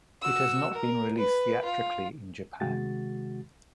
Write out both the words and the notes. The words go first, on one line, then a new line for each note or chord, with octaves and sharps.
It has not been released theatrically in Japan.
F#4 E6
A#4
B4
F4
C3 D#3 G#3 F#4 A6